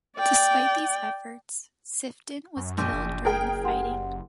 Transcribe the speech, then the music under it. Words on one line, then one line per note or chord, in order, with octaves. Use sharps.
Despite these efforts, Sifton was killed during the fighting.
D5 G5
F#2 C#6
A#1 C6 D6 G6
F#1
G#4 A#4 G5 D7
G4 F#5 C6